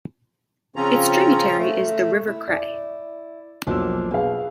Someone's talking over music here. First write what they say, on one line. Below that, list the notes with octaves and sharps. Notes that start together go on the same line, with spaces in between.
Its tributary is the River Cray.
C#3 F3 C4 C#4 F4 A#5
A3
E4
D5
B1 F3 A#3 D4 E6
B2 G#4 B4 F5